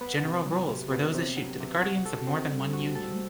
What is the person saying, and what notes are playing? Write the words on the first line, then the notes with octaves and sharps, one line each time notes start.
General Rules were those issued to the Guardians of more than one Union.
B3
C3
F#3
C3
B3
C3
F#3
C3
F#4
A4
C4
G3
F#4
A4